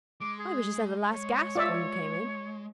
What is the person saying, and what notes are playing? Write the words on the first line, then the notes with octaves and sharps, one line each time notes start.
I was just at the last gasp when you came in.
G#3 D6
G#4
C#5
F4 D5 E5